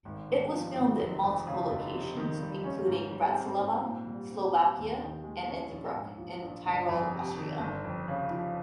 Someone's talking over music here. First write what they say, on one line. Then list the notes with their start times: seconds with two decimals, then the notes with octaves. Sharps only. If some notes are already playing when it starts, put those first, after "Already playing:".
It was filmed in multiple locations, including Bratislava, Slovakia and Innsbruck in Tyrol, Austria.
0.05 G#1
0.29 G#2
0.52 F3
0.76 G#1
0.99 F1
1.23 F2
1.47 C#3
1.70 F1
1.94 C3
2.17 D#3
2.41 G3
2.64 C#4
2.88 G#2
3.12 G3
3.35 C4
3.59 G#2
3.82 A#2
4.06 G3
4.29 C4
4.54 G4
4.77 D#2
5.01 D#3
5.24 G#3
5.48 C#4
5.71 A#1
5.95 G#2
6.18 F3
6.43 A#1
6.66 G1
6.89 F2
7.13 C3
7.36 D#3
7.60 G1
7.84 F2
8.08 C#3
8.30 F3